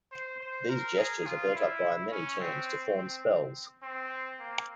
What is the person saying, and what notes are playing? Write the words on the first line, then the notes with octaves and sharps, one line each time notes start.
These gestures are built up via many turns to form spells.
C5
C5
A#4
G#4
F4
E4
C#4
C4
C4
C4
A#3